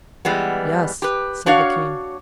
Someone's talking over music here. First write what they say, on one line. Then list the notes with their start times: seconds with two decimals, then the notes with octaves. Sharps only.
"Yes," said the King.
0.25 E3 G3 G#3 B3
1.02 G4 B4
1.46 D4 F#4 C#5 F5